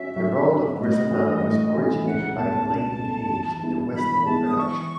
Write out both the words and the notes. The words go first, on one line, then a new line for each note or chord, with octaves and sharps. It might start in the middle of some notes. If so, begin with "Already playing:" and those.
The role of Grizabella was originated by Elaine Paige in the West End production.
Already playing: C#4 F#4 E5
F#3
C#4 F#4
A2 D#5
E3 A3 C#4 F#4
A2
E3 A3 C#4 F#4
C#2 F#5
B2 A3 C#4 A5
C#2 A5
B2 A3 C#4
E3
G#3 B3 E4
E3 B5
G#3 B3 E4 A5
D#6
E3 C#6